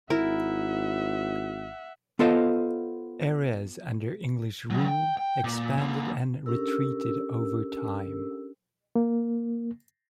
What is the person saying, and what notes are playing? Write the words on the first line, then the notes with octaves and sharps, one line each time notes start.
Areas under English rule expanded and retreated over time.
G#1 E4 A#4 E5 F#5
B3 F4 A4 C5 D#5 F5
D#3 F#3
G5
G5
A#2
D3 A#3
C#4 D4 G4 A4 A#4 E6
A#3